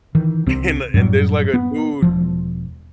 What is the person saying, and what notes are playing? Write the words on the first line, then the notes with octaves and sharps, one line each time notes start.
and and there's, like, a dude
D#3 E3
C2 C3 C4
F#2 A2 F#3 G3
B3
E1 F3